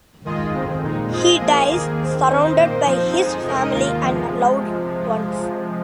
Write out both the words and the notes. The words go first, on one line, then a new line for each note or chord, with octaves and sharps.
He dies surrounded by his family and loved ones.
D#3 G#3 F4 G#4 D#5
F2 D#3 C4
A#2 G#3 D#4
G#3 C4 F4 G#4 D#5
F3 A#3 G#4
D#2 D#3 A#3 G#4
D#2 D#3 C4
D#3 C4 D#4 C5
A#2 A#3 D#4 C5
F3 C4 D#4 C5
F2 F3 G#3 D#4 G#4
C3 G#3 D#4 A#4 D#5
D#2 D#3 A#3 F4
C3 F3 G#3